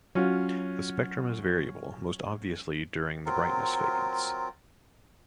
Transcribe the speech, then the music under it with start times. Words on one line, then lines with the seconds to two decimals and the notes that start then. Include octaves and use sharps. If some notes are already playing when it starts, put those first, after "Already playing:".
The spectrum is variable, most obviously during the brightness fades.
0.15 F#3 C#4 F4 F#4
3.26 F#3 C4 F4 A#4